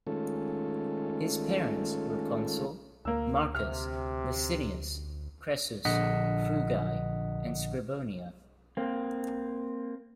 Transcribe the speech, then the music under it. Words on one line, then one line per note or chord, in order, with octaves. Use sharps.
His parents were consul Marcus Licinius Crassus Frugi and Scribonia.
D#3 G#3 A3 C#4 F4 A4
D2 A#3 E6
C3 F6
A#1 D3 D#5 F#5 B6
A#3 C4